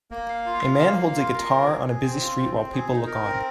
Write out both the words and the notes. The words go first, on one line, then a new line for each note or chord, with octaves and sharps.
A man holds a guitar on a busy street while people look on.
A#3
F5
F4
F5
A#3
F5
F4
A#4
C4
G#4
G#4
C4
F4
C4
C4
G#4
D#4
A#4
C4